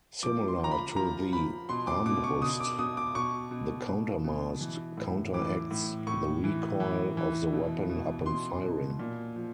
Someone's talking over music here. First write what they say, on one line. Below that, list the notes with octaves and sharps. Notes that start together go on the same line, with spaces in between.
Similar to the Armbrust, the countermass counteracts the recoil of the weapon upon firing.
F3 D6
C6
F3 A#5
B5
F3 A#5
F3 B5
B2 C6
D6
B2 D6
C#6
B2 D#6
D6
B2 D#6
D6
B2 C#6
B2
B2
B2
E3
A2
E3 D6
A2
A2 C#6
E3
E3
E3
B2
B2
B2 C6
B2
A#2
F3